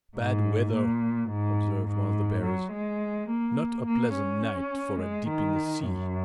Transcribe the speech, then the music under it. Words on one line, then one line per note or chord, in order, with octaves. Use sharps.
"Bad weather!" observed one of the bearers; "not a pleasant night for a dip in the sea."
G#2
A#2
G#2
G#2
F#3
G#3
A#3
A#3
C#4
G#3
D#3
F#2